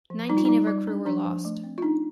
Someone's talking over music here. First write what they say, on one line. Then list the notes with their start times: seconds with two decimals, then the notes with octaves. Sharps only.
Nineteen of her crew were lost.
0.10 F3
0.29 G3 D#4
0.37 F4
0.45 G3 D#4
0.67 G3
0.87 D4
1.05 F3 D4
1.24 F3
1.45 A3
1.64 C4
1.78 F4
1.82 D4 D#4